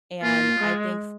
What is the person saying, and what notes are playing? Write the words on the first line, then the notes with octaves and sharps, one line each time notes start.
and I think f
A#3 F4
G#3